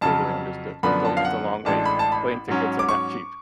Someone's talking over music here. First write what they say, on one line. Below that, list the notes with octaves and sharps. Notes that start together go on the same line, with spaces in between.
totally understood. So, it's a long ways. Plane tickets are not cheap.
F2 C#3 F#3 A5
F#2 D3 F3 B3 D4 B5
A5
F5
F#5
A1 A2 G#3 D4 A5
B5
A5
B5
G#2 F#3 C#4
D6
C#6